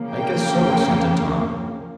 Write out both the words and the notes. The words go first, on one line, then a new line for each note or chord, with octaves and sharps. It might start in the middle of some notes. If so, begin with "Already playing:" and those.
"I guess so," assented Tom.
Already playing: C#3 F3 A#3
G5